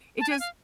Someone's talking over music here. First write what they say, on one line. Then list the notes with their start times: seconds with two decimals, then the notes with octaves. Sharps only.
it just
0.20 A5
0.30 G#5
0.40 F5